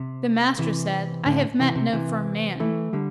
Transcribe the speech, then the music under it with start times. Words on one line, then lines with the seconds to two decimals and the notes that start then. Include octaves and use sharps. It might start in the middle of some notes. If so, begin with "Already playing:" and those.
The Master said, I have met no firm man.
Already playing: C3
0.59 C3 E3
1.26 A2 D3
1.59 C3 E3
1.76 C3
1.93 C3 E3
2.60 E3 A3
2.93 D3 G3